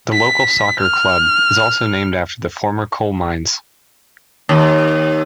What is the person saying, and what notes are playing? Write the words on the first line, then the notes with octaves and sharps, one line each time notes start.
The local soccer club is also named after the former coal mines.
B6
F6
D#2